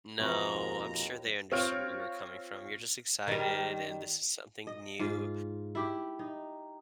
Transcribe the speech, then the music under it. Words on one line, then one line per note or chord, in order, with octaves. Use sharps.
No, I'm sure they understood where you were coming from, you're just excited, and this is something new,
F2 B2 E3 B3 A#5 C#6
D#2
C4 F4 C#5 F6 D7
D#3 G3
D#5
G#2 F4
E4 G4
D#4